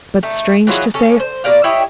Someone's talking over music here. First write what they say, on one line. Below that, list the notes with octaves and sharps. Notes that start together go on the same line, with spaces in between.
But, strange to say!
A3 D#4
E3 F#3 F4 G#4
C#4 A4
C5
B2 A#4 D5 F5
E4 G4 C#5 D#5